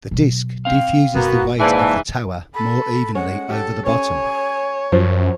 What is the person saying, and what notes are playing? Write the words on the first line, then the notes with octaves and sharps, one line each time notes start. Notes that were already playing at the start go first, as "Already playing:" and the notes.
The disk diffuses the weight of the tower more evenly over the bottom.
B2 F#3
C4 F5
E1 F#2 A#3 B3 F#4
G#2 E3 A#3 D5 G#5 A5
A4 B5
G#3 C#4 F#5
G4 A4
C#4 C#5 G#5
F#2 F3